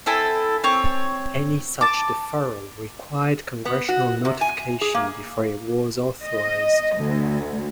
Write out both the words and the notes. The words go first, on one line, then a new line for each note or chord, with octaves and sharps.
Any such deferral required congressional notification before it was authorized.
C4 E4 A4 G#5
C4 C#5
A5 D6
B3
F#4
C3
G#5
G#4
A#3
D#5
D2